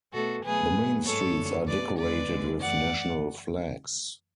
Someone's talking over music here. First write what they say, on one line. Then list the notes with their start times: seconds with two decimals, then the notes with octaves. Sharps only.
The main streets are decorated with national flags.
0.13 B2 A3 F#4 A4
0.43 B2 F#3 A3 G#4 B4
0.75 G#2 F#3 A3
1.05 G#2 G#3 A4 C#5
1.36 F#2 D3 A3
1.67 B2 A3 B4 D5
1.98 E2 D3 G#3 B4 D5
2.28 D2 D3 G#3
2.60 F#2 E3 A3 D5 F#5